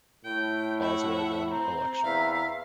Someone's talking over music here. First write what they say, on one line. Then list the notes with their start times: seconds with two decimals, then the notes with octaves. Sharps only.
Boswell won election.
0.25 A2 G5
0.82 E5 F#5
1.51 C4 A#5
2.04 E2 E5 F5